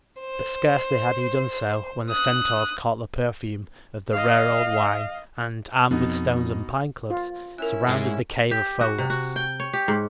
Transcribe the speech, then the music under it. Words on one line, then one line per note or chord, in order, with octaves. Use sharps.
But scarcely had he done so when the Centaurs caught the perfume of the rare old wine, and, armed with stones and pine clubs, surrounded the cave of Pholus.
C5
D#6 F#6
D#5 F5
F2 B2 D#4
F4
C#4 E4 A#4 E6 F#6
G#2 G#3
G4
F#4
C3
F#4
G5
C#5
G4
G#2